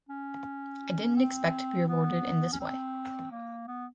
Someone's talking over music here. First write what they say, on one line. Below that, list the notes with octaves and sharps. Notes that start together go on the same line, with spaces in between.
I didn’t expect to be rewarded in this way.
C#4
C4
B3
C#4
C4
A#3
B3